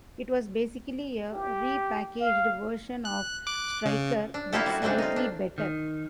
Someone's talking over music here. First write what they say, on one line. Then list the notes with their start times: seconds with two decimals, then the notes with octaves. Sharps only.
It was basically a repackaged version of Striker, but slightly better.
1.32 G4
2.21 F5
3.05 F#6
3.47 D6 F#6
3.85 C#3
4.34 D4
4.53 A#3 E4 F4 G4 A4
4.66 G3 E4 F#4
4.82 C#3 G3 A3 C4 D4
4.98 D#4 F4
5.16 D4
5.58 D#3